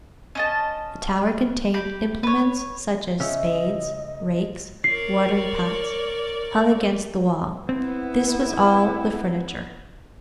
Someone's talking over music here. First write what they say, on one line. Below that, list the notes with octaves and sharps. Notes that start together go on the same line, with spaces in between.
The tower contained implements, such as spades, rakes, watering-pots, hung against the wall; this was all the furniture.
C#4 D#5 A5
G4 B5
B4 C#5
C#3 C#4 D#5 E5
A#4 C#5 D5 C7
B3 C4 E4